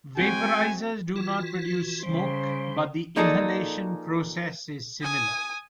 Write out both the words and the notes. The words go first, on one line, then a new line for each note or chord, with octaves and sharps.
Vaporizers do not produce smoke, but the inhalation process is similar.
G#3 C4 F#4 G5 G#5
E3 F4 F#4
C#3 G3 C5
F3 A#3 D#4 G#4 A4 D5
G#5 D#6